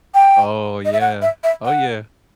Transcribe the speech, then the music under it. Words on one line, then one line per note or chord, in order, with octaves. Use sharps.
Oh, yeah. Oh, yeah.
G5
D#5
E5
F#5
E5
E5
F#5